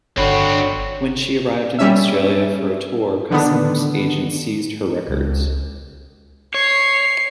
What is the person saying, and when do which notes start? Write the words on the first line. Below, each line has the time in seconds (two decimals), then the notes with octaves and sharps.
When she arrived in Australia for a tour customs agents seized her records.
0.17 G1 D3 C4 F#4 C#5 B5
1.79 G3 C#4 E5
3.31 D3 D#3 B3 D4
5.06 C#2
6.54 C#5 C7